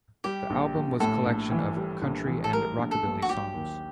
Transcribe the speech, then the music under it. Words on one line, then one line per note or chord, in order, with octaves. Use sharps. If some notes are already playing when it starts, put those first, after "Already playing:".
The album was collection of country and Rockabilly songs.
G3 G4
A#1
A#1
A2 A4
A#1
E3
G3
A#1
E3
A4
G3 A#4
A#1
A4
A#1
F#4
F#3 G4
D#2